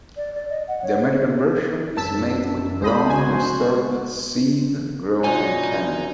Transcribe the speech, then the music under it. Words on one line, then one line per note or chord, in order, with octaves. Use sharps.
The American version is made with brown mustard seed grown in Canada.
D5
D5
D#5
F#5
C#5
F#2 A5 E6 B6
C2 G#3 C5 D#5 B5
F#4 G#5
B2 D3 F#3 D#4 F4 G#5